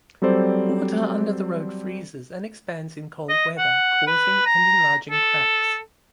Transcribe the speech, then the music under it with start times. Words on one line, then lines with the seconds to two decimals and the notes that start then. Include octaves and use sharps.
Water under the road freezes and expands in cold weather, causing and enlarging cracks.
0.22 F#3 G3 C4 A4 C5 D5
3.29 D#5
3.58 F#5
4.07 B4
4.46 A#5
5.11 A4